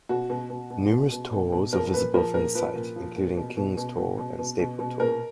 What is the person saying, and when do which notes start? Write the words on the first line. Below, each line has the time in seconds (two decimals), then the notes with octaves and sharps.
Numerous tors are visible from the site, including King's Tor and Staple Tor.
0.09 B2 F#4
0.30 B2
0.50 B2
0.70 B2
0.91 B2
1.12 B2
1.33 B2
1.52 B2
1.73 F3 A#4
1.93 A#2 B4
2.14 F3 A#4
2.34 A#2 A#4
2.55 F3 B4
2.75 A#2
2.96 F3
3.16 A#2
3.37 B2
3.57 B2
3.77 B2
3.98 B2
4.18 B2
4.39 B2
4.59 B2
4.80 B2
5.00 A#2 A#4